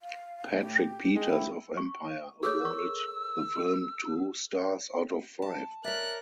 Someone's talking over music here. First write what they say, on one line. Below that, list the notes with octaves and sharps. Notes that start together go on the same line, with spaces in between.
Patrick Peters of "Empire" awarded the film two stars out of five.
F5
A2
G4
G#3 G5
E4
C#6
G#4 A4 C#5 E6
A#4 C#6
A5
A#4 C#5 D5 E5 F#6 A6 B6